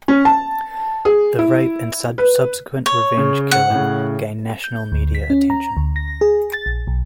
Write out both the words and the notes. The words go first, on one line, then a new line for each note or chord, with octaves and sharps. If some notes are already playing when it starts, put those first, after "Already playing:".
The rape and subsequent revenge killing gain national media attention.
C#4
A5
G#4
E4
B4
C#5
C#3
F#5
A2 C#3
G6
D2
B6
C#4
A#5
D2
A#6
G#4
A6
A#1
B1